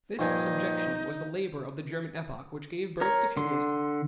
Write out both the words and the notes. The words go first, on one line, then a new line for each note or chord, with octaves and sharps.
This subjection was the labor of the German epoch which gave birth to feudalism.
A#1 G2 D#4 G#5
A#4 C#5 A#5
D3 C6